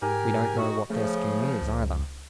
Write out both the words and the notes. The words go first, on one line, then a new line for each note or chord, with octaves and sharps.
We don't know what their scheme is either.
G#2 G4 A#4 G#5
D#3 F#4
C#3 F3 A3
C#2